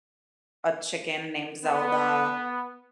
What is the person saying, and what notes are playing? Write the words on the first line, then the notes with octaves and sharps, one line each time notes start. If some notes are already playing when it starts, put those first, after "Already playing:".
a chicken named Zelda,
B3